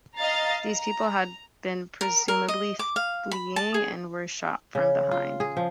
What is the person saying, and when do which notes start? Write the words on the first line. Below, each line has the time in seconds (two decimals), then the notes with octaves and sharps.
These people had been presumably fleeing and were shot from behind.
0.18 D#5 F5 A#5 A6 C7
0.63 A#5
2.01 A#4
2.28 A#4
2.48 D#5
2.79 D6
2.96 F5
3.31 B5
3.56 A5
3.74 G#4
4.75 C#3
5.11 F4
5.40 G#4
5.57 F3